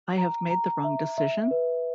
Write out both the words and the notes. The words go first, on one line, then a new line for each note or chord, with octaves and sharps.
I have made the wrong decision?
A#5
A#5
E5
E5
B4